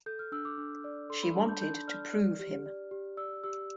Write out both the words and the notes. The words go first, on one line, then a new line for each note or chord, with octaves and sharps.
She wanted to prove him.
A4 G6
F6
D4 E6
D6
D4
D5
A4 C6
B5
D4 A5
G6
D4 G6
D5 F6
D5
G4
D5
G4
D5 E6
G4 E6